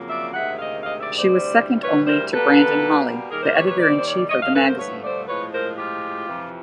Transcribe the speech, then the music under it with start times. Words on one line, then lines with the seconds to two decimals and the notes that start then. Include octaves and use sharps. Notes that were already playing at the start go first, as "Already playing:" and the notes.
She was second only to Brandon Holley, the editor-in-chief of the magazine.
Already playing: F2 C#3 F#3 A#3
0.09 D5 E5
0.34 D2 C3 D#3 G#3 E5 F#5
0.59 D#5 F5
0.84 D#5 F5
1.00 D5 E5
1.16 C5 D5
1.32 D2 C3 E3 G3
1.82 B4 C#5
2.07 A#4 C5
2.31 B2 G3 A#3 A4 B4
3.30 D#2 D#3 G3 G#4 A#4
3.43 A#4 C5
3.55 B4 C#5
3.68 B4 C#5
3.80 C5 D5
3.95 C5
4.06 C#5
4.18 D5
4.29 G2 D3 F3 A3 C#5 D#5
4.41 D#5 F5
4.54 A4 B4
4.66 A#4 C5
4.79 B4 C#5
5.03 C5 D5
5.28 A2 F3 G#3 B4 C#5
5.52 A#4 C5
5.77 F4 G4
6.26 F2 C3 E3